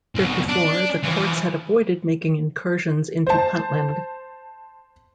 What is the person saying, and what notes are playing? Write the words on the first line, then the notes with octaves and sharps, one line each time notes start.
Heretofore, the courts had avoided making incursions into Puntland.
C2 B2
D4
E3 F3
C5 A5